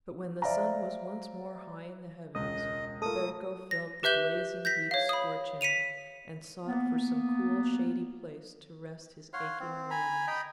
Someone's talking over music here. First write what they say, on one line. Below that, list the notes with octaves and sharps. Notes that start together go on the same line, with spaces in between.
But when the sun was once more high in the heavens, Ferko felt the blazing heat scorch him, and sought for some cool shady place to rest his aching limbs.
C5 D5 E5 F5 A#5
E1 C#2 D#5 D#6
A3 F4 A4 A#4 D#6
A#6
G4 B4 E5 G6 G7
G6 A#6 B6
C#5 F5
B5 D#6
B6 C#7 D#7 F7
A#3 B3
C#5 F5 F#5 C6
C4
G#5 A#5 B5
D#5 G5 A#5 B5